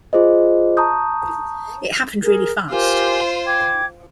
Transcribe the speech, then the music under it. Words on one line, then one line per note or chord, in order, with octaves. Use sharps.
It happened really fast.
F4 G#4 C5 D#5
A5 A#5 C#6 D#6 G6
G#4 A#4
F4 G4 A#4 C5 G#5
G5 D6 G#6